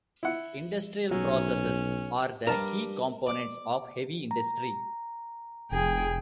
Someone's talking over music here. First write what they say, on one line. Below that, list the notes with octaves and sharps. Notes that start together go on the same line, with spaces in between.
Industrial processes are the key components of heavy industry.
E4 F#5
B1 F#3 C#4
G2 G3 A#4 A5
D5 D6
A#5
F1 G#4 G5